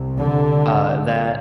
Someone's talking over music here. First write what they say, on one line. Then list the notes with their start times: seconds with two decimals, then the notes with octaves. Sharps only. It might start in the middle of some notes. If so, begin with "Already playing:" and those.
Uh, that
Already playing: C2 C3
0.18 D3